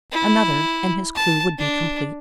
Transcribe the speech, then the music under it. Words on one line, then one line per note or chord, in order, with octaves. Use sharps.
Another, and his clue would be complete!
E4
A5
D4